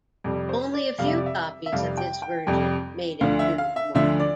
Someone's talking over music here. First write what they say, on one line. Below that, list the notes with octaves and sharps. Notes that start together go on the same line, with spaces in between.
Only a few copies of this version made it to the market.
F2 C3 G3
C5
D5
F2 C3 G3 F5
E5
D5
E5
E5
F2 C3 G3 F5
G5
G5
F2 C3 G3 G5
D2 D3 F3 F5
E5
F5
E5
D2 D3 F3 E5
D5